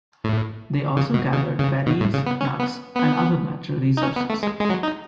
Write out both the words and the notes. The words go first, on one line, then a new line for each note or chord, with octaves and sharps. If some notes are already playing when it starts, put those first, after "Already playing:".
They also gathered berries, nuts and other natural resources.
A2
C#3
B2
C#3
C#3
B2
A2
C#3
B3
C#4
B3
B3
D#4
C#4
B3
A3
G#3
G#3
F#3
D#4